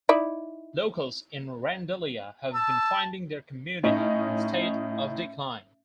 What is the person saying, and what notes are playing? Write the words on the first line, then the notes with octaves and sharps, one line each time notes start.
Locals in Randalia have been finding their community in a state of decline.
D#4 E4 D5
A5 E6
A2 C#4 D#4 D#5